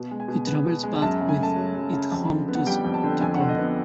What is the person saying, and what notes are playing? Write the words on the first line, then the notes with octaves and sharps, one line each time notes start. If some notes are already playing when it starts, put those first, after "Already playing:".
He travels back with it home to Stockholm.
Already playing: B2
G#3
G#5
B2
B3
B2
G#3
F#2 A5
C#3
G#5
A3 A5
F#3
F#2
C#3
F2 A5
D3
B3
F#5
G3 G5
F2
A5
D3
F2 G#5
F#5
D3
D#5
B3